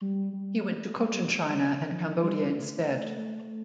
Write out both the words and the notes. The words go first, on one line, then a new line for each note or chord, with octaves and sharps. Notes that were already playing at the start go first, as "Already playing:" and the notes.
He went to Cochinchina and Cambodia instead.
G3
G3
A3
G3
A3
G3
A3
G3
A3
G3
F3
D3
F3
G3
A3
A3
A3